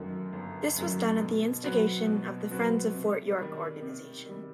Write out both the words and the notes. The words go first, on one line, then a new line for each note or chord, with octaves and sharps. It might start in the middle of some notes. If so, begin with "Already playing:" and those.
This was done at the instigation of the "Friends of Fort York" organization.
Already playing: G1 F#2 D#3 F#3 A3
G1
F#2 D#3 F#3 A3
B2
F#3 C4 F#4 B4
B2
F#3 C4 F#4 B4
C3
D#3 G3
C3
D#3 G3